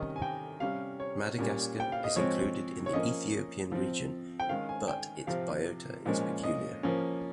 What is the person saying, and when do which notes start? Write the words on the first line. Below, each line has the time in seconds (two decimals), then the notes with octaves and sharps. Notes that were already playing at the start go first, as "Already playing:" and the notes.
Madagascar is included in the Ethiopian Region, but its biota is peculiar.
Already playing: C3 D#3 G3 C#4 D#5
0.16 G#5
0.22 G5
0.60 C3 G3 C#4 F5
1.00 C#5
1.39 A#2 G3 C#4
1.80 G5
1.92 F5
2.04 D#5
2.16 F3 G#3 C4 C#5
2.86 C#5
2.93 F3 A#3 C#4 D#5
3.72 F3 C4
4.40 G5
4.49 D#3 G#3 C#4 F5
4.69 G#5
4.88 G5
5.27 C3 F3 C4 F5
6.06 A#2 F3 G#3 C#4
6.43 D#5
6.83 F3 A#3 C#4